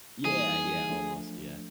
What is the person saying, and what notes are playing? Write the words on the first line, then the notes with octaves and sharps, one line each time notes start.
Yeah, yeah, almost, yeah.
E3 G3 A#3 D#4 G#4
F3 A3 D4